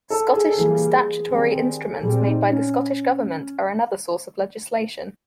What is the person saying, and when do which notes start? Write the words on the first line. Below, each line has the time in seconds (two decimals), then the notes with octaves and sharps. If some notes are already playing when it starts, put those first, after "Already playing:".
Scottish Statutory Instruments made by the Scottish Government are another source of legislation.
0.10 A4
0.34 G#4
0.49 A4
0.58 E3 G3 A#3 G#4
1.30 D#3 G3 C4
1.91 A4
2.01 A#2 G3 C4 G#4
2.26 D#4
2.50 C#4